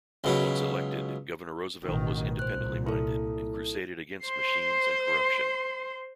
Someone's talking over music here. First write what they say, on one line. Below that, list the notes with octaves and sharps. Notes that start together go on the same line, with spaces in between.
Once elected, Governor Roosevelt was independently minded, and crusaded against machines and corruption.
C#2 B2 F#3
A1 B2 D#3
C2 A#2 C5 F#6
E4 A4
C5 C6